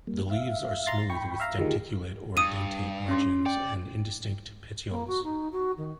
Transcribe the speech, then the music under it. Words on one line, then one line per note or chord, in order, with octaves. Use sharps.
The leaves are smooth with denticulate or dentate margins and indistinct petioles.
G3 A#3
E5 F5
A#5 C6 A6
G5 B5 C#6
E5 F5 A#5
D2 D#3 F4 G4 G#4
G2 D#6 D#7
C#4 C6
D5 G5
A#3
F#4
D#4
F#4
D#3